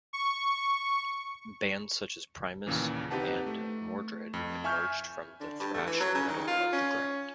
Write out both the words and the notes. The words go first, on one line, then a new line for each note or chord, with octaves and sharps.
Bands such as Primus and Mordred emerged from the thrash metal underground.
C#6
D#2 A#2 C#3 E3
C4 D#4 G4 B4 F#5 A5
A3
F2
E5 G#5 C#6 F6 G6
D3
G2
A3
E3
F#3
C#3
D#3
F4
C#4